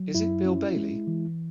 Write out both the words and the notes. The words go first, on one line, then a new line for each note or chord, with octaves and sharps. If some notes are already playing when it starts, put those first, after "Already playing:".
Is it Bill Bailey?
Already playing: F#3
F#2 E4
C#4
G#3
E3